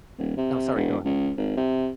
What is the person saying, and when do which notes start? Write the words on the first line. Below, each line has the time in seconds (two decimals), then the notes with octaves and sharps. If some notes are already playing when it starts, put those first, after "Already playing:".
No, sorry; go ahead.
0.18 D#1
0.37 C3
0.75 E1
1.05 C#2
1.37 G#1
1.57 C3